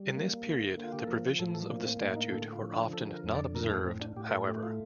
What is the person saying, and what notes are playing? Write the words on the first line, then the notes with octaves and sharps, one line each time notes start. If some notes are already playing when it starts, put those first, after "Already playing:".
In this period, the provisions of the Statute were often not observed, however.
Already playing: G3
A#3
D3
A#3
F4
G4
A4
F3 A#4
A2 A4
A4
A#3 D4
C4
A2 D4
D#4
D3 A4
F4
F3
D4
D3 A4
A#4
F2
D5
A2 A#4
A4
A2 C4
D4
A2 G4
A#4
A4
A3 G4
F4